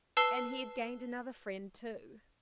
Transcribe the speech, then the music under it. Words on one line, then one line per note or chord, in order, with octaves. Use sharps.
And he had gained another friend, too.
B4 A5 E6 C7 G7